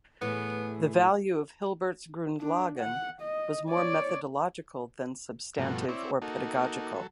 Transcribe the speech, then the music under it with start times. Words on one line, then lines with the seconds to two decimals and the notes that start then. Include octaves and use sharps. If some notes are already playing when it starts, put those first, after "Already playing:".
The value of Hilbert's "Grundlagen" was more methodological than substantive or pedagogical.
0.22 A2 E3 A3 B3 G#4
2.40 D4
2.79 F#5
3.21 D#5
3.70 C#5 D5
5.58 G2 B2 F3 A3 F#4
5.89 C4 E4 C#5 D5
6.22 A#3 D#4 F#4 A4
6.94 F#3 A4